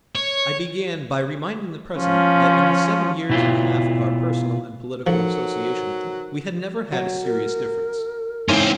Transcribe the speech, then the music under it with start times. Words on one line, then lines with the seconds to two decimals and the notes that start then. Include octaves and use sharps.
I began by reminding the President that in the seven years and a half of our personal and political association we had never had a serious difference.
0.15 C#5
1.98 F3 C#4
3.29 B2 E4 F4
5.07 F3 F#3 D#4 A4 A#4 C5 C#7
6.92 F#3
7.24 A#4
8.49 G#2 C#3 E3 C4 C#4